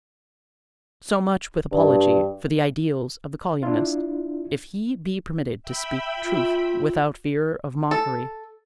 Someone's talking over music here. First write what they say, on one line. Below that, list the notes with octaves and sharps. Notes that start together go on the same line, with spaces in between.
So much, with apology, for the ideals of the colyumist, if he be permitted to speak truth without fear of mockery.
G2
D4 E4 F4
E5 G5 B5
F4
A4